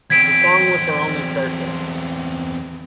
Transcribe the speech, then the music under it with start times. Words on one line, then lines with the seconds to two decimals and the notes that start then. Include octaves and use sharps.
The song was her only chart hit.
0.10 E2 C4 G#6 B6 D7